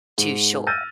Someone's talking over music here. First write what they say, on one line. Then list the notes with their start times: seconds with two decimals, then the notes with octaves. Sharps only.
too sure,
0.18 G#2
0.67 E6 F6 G6 A6 A#6 D#7